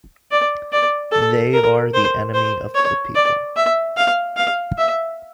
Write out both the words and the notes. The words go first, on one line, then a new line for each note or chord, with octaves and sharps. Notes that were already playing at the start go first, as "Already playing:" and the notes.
They are the enemy of the people.
D5
D5
A4
A#4
C5
C5
C#5
D5
E5
F5
F5
E5